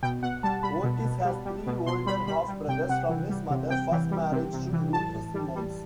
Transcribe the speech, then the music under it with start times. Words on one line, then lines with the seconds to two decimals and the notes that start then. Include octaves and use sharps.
Ortiz has three older half-brothers from his mother first marriage to Louie Simmons.
0.03 B2 G5
0.23 B2 F#5
0.43 G3 A5
0.63 G3 B5
0.84 B2
1.04 B2
1.25 G3
1.45 G3
1.67 B2
1.86 B2 C6
2.06 G3 B5
2.27 G3 B5
2.48 G3
2.68 C3 G5
2.89 C3 F#5
3.09 E3
3.30 G3
3.50 C3
3.70 C3 G5
3.91 E3
4.11 G3
4.32 C3
4.53 C3
4.73 E3
4.93 A2 A5
5.14 A2
5.34 G3
5.56 G3